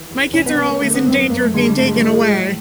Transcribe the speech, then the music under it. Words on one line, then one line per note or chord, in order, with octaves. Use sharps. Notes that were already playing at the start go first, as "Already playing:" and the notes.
My kids are always in danger of being taken away
Already playing: E3
E2
C2 C#4
B3
C2 B3
A#3
D3 A3
B3
F#2 C4
B3
F#2 A#3
A3
D3 G#3
G3
G#2 A3
G#3
G3
F3 G#3
A2